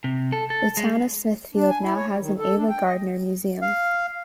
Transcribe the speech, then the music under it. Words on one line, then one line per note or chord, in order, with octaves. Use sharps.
The town of Smithfield now has an Ava Gardner Museum.
C3
A4
A4
G#3
D4
G#5
E4
C#5
G3
D#3
A4
D4
G5
D#5
F5